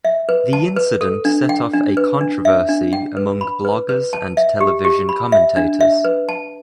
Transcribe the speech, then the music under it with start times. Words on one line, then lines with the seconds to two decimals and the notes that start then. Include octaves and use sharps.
The incident set off a controversy among bloggers and television commentators.
0.05 E5
0.29 B4
0.53 A5
0.76 B4
1.01 A4
1.25 D4
1.49 G5
1.74 D4
1.97 B4
2.21 D4
2.45 E5
2.69 D4
2.93 G5
3.17 B4
3.41 B5
3.65 B4
3.89 B4
4.13 A5
4.37 E5
4.61 G4
4.85 G4
5.09 B5
5.32 E5
5.57 D4
5.81 E5
6.05 B4
6.29 A5